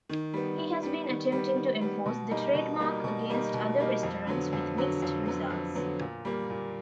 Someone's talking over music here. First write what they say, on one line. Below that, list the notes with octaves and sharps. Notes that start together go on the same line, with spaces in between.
He has been attempting to enforce the trademark against other restaurants with mixed results.
D#3
G3 B3
D#3
G3 B3
D#3
G3 B3
D#3
G3 B3
B2
G3 A#3 D#4
B2
G3 A#3 D#4
B2
G3 A#3 D#4
B2
G3 A#3 D#4
F2
D3 F#3 B3
F2
D3 F#3 B3
F2
D3 F#3 B3
F2
D3 F#3 B3
A#2
G3 A#3
A#2